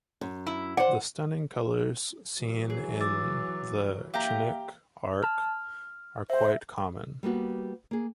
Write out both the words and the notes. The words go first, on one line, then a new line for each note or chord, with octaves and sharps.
The stunning colours seen in the Chinook arch are quite common.
F#2
E4
C5 D5 F#5
E3 F#3
G#4
D6 E6 A6
A#3 G4 E5 F5 G5 A#5
A5 F6
C5 E5
G3 A#3 B3 F#4
A#3 G#4